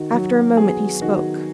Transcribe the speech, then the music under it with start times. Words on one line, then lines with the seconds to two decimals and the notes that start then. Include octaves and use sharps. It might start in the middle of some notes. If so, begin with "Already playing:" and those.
After a moment he spoke.
Already playing: D#3 F#4
0.12 F#3 F#4
0.57 B3 G#4
1.01 D#3 F#4